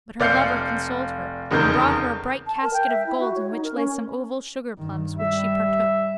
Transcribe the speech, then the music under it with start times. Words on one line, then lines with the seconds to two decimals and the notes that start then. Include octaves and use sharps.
But her lover consoled her and brought her a bright casket of gold in which lay some oval sugarplums which she partook.
0.20 F1 D5 F5 G6 C7 C#7
1.51 F1 E2 C#3 D#4 A#4 G6
2.47 A5
2.62 A#4
2.74 G5
2.88 E5
3.07 E4
3.20 F#4
3.35 C#5
3.51 D#4
3.64 A#4
3.75 C#4
4.79 G2 D#3
5.17 G3 E5